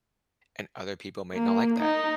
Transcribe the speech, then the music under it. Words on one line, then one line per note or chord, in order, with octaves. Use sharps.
and other people might not like that.
A#3
D#4